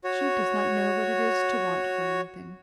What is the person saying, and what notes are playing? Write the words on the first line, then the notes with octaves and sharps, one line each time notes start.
"She does not know what it is to want for anything."
F#4 C#5